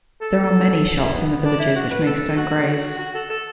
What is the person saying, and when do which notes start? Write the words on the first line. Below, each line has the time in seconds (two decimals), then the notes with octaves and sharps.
There are many shops in the villages which makes stone graves.
0.21 A4
0.99 E4
1.13 B3
1.45 D4
1.59 E4
1.76 F#4
1.91 B4
2.06 A4
2.37 F#4
2.98 F#4
3.15 A4
3.30 A4